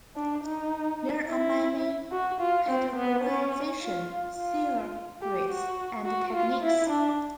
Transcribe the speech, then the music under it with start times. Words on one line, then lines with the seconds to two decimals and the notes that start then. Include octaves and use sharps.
There are many categorization theories and techniques.
0.16 D4
0.44 D#4
1.28 E4
2.12 F#4
2.40 F4
2.69 C4
2.96 B3
3.24 C#4
3.82 F4
4.37 F4
5.22 G4
5.50 F#4
6.05 F#4
6.34 F4
6.62 E4
6.90 D4